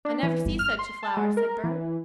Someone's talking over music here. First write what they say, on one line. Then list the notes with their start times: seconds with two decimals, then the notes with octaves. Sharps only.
"I never see such a flower," said Bert.
0.05 D4
0.23 E3
0.45 G1
0.59 F6
0.79 C6
1.03 A5
1.17 G#3
1.37 A#4
1.64 E3